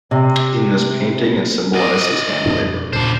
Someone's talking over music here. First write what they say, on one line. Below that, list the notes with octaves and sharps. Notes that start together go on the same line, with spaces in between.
In this painting it symbolizes hand labour.
C3
D5 D#5
F2 B2 D4
D#2 A#2 C#3 D4 C5